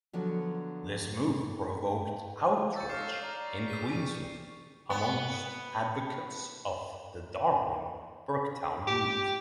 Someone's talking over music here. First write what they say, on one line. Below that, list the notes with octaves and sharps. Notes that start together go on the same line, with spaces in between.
This move provoked outrage in Queensland amongst advocates of the Darwin-Burketown route.
D3 F3 F#3 B3 D4
C#6 E6 G6 A6 C#7
D#4 A4 C#5 F5 D6 F6 C7
D5 A#5
G#4 B6 C7 D#7
G4 D5 C#6 D#7
B3
G4